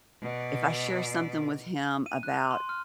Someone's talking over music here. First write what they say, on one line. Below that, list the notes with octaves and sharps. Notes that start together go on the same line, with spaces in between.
if I share something with him about
B2 D5
D#7
F#6
C6
F6